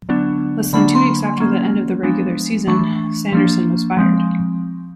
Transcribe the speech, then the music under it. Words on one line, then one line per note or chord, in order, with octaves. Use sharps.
Less than two weeks after the end of the regular season, Sanderson was fired.
D3 F#3 B3 D4
D3 F#3 A#3 D4 B5
C6
F#3 A#3 C#4
F3 G#3 B3 D4
E3 A3 D4 C#6
F3 A#3 D4
F3 G#3 C4